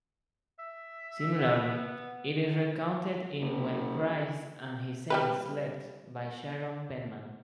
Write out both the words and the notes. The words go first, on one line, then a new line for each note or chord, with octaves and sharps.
Similarly, it is recounted in "When Christ and his Saints Slept" by Sharon Penman.
E5
B3
F#1
G3 G4 B4